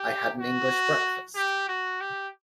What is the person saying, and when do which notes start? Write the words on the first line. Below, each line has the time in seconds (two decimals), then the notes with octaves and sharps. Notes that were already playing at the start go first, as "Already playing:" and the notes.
I had an English breakfast.
Already playing: G4
0.38 F#4
1.35 G4
1.68 F#4
2.01 G4